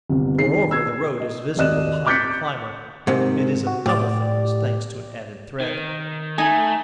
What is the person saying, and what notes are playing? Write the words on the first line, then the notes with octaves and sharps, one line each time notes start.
Moreover, the road is visible behind the climber, it is of double thickness, thanks to an added thread.
G1 C2
D#3 G#4 C7
E6 G#6
D#5
G#1 D#2 D5 D#5 F#6 E7
D6 F#6 G6 A6 B6 C#7
G#2 C3 D#3
F#4
A2 G4 D5
D#3
A3 D#4 G#5